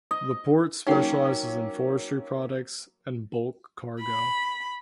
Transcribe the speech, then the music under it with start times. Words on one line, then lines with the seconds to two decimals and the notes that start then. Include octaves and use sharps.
The port specialises in forestry products and bulk cargo.
0.11 D#5
0.87 F#3 A#3 C#4 D#4 G5
4.02 B5